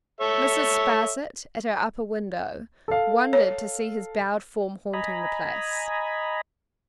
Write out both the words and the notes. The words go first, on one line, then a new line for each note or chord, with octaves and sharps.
Mrs. Sparsit, at her upper window, wondered to see his bowed form haunting the place.
A4 C#5 E5
A4 F5
C#5
D#5 G#5 A#5 B5